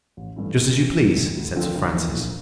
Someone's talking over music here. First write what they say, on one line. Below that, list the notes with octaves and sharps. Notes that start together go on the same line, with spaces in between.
"Just as you please," said Sir Francis.
A1
G2 E3 A3 E4
D2
C3 E3
E2
C3 E3 G3
D2
D3 F3 C4
G1
F2 E3 A#3
A#1